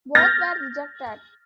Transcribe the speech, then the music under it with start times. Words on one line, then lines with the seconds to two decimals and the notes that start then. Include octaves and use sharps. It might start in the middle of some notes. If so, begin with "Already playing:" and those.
Both were rejected.
0.15 F6 G6 A6 A#6